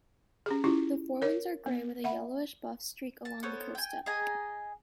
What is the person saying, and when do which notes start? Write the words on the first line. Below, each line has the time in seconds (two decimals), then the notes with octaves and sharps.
The forewings are grey with a yellowish-buff streak along the costa.
0.46 C#4 G4 G#4
0.64 C#4 E4 F4 G4
1.22 A#4 C#5
1.66 B3
2.04 E5 F#5 B5
3.25 A5
3.43 B3 A4 C5 C#5
3.75 G5 G#5
4.06 G#4 D#5 G#5 A#5